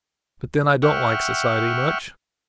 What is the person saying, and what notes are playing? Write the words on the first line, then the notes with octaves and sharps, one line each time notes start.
But then, I don't like society--much.
E5 F#5 G5 C#6 F6